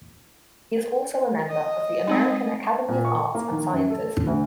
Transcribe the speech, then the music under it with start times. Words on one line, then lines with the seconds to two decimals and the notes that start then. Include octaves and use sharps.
He is also a member of the American Academy of Arts and Sciences.
1.50 D#5
2.08 G#3 C4 D#4
2.88 A#2
3.05 C#6
3.35 A#3
3.51 D#3
3.72 F#2
3.90 A4
4.27 D2